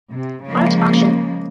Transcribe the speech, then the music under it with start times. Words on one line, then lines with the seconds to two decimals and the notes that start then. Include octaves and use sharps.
Art Auction.
0.12 C3
0.46 C#3 F3 G#3 A#3